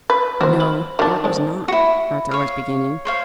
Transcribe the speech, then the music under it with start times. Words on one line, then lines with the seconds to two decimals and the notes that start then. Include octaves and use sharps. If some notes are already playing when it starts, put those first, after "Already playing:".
"No, Yorke was not," Arthur was beginning.
0.10 B4
0.41 D#3 A#3 C4 F#4 C5
0.60 E4 F4 B5
0.99 D#3 D4 F#4
1.24 G#2 C4 D#4
1.68 E4 F#4
2.31 C#5 F5
3.05 C5 C#5 F5